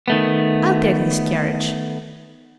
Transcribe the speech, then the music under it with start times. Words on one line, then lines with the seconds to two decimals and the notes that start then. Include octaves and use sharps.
I'll take this carriage.
0.08 D#3 A3 B3